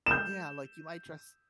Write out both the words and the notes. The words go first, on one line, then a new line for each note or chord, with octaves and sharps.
Yeah, like, you might dress
G6 E7